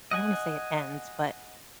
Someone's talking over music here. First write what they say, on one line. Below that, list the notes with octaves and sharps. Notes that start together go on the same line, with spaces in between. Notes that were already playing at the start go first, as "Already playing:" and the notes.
I don't wanna say it ends, but,
D#5 F#5 G#5